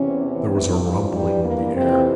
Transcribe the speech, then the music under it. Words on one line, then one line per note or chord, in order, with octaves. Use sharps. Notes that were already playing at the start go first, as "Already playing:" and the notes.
There was a rumbling in the air.
Already playing: E2 C3 E3 C#4
E3
G2 E3 F3
G3
A#3
F2 C3 E3 C4